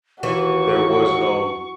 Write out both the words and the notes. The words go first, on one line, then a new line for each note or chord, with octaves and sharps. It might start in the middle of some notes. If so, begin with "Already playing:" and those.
there wasn't, um
D#2 E3 F#4 C#6